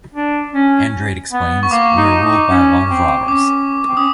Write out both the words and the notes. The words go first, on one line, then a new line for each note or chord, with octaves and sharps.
Andrade explains, We are ruled by a lot of robbers.
D4
C#4
B3
C#6
A#3 D6
D#4
D#4
C#4
C4
C#4 D6
C4
C#4 D#6